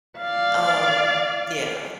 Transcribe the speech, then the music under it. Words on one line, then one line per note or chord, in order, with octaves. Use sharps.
um, yeah,
D5 F5